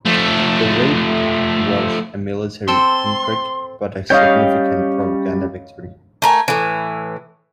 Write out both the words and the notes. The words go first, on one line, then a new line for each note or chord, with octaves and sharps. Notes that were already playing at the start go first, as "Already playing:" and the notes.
The raid was a military pinprick but a significant propaganda victory.
F3 A3
C4 A4 C6
G3 C#4 C#5 D#5 F5 G5
A3 A#4 G#5
A2 E3